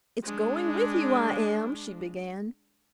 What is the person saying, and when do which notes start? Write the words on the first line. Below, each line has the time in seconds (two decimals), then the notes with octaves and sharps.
"It's going with you I am," she began.
0.23 G#3 D4